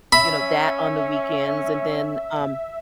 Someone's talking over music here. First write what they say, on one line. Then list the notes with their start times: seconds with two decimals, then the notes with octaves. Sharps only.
you know, that on the weekends, and then, um
0.12 C#4 E5 B5